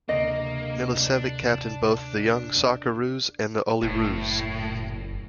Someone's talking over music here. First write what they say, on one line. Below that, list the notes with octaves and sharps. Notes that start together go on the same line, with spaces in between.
Milicevic captained both the Young Socceroos and Olyroos.
D2 C3 A#3 D#5
D4
F#1 A2